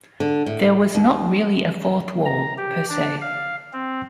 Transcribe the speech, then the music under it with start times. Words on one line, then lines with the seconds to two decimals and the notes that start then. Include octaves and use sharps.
There was not really a fourth wall, per se.
0.20 D3
0.46 A2
0.95 D#2
2.26 A#5
2.58 G4
2.89 D4
3.21 F5
3.73 C4